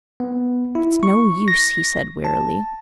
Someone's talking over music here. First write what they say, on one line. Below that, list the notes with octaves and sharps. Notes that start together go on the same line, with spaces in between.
"It's no use," he said wearily.
B3
E4
C#6
A#6
A5